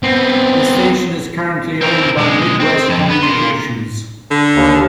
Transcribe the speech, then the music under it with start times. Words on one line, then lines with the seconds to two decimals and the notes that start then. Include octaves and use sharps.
The station is currently owned by Midwest Communications.
0.03 B3 C4
1.82 C4 A#4
2.18 B1 G#3
2.60 C4
2.89 F2
3.09 B3
3.23 A#3 C6
4.31 D3
4.55 D#2